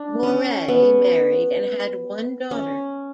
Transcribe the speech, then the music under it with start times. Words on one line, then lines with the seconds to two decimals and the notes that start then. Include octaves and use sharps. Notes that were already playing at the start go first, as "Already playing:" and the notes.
Mouret married and had one daughter.
Already playing: D4
0.23 C#4
0.68 B3
2.51 C#4